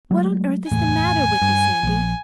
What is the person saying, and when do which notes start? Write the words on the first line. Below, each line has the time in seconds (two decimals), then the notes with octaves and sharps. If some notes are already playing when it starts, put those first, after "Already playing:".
What on earth is the matter with you, Sandy?
0.11 F#3 G#3 A3
0.72 F#1 E2 A2 G#5
1.42 G2
1.83 A#1 F3